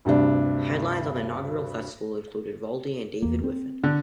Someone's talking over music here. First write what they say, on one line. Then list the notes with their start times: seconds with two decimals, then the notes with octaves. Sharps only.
Headliners on the inaugural festival included Valdy and David Wiffen.
0.05 D2 G2 C3 D4
3.22 E2 A#3
3.44 C4
3.84 D3